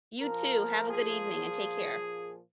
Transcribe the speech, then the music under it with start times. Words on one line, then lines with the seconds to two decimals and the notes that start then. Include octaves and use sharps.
You too. Have a good evening and take care.
0.20 A#2 F3 A#3 A#4
0.89 G#4